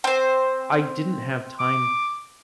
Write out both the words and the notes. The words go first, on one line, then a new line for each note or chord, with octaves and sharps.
I didn't have time
C4 C5
D6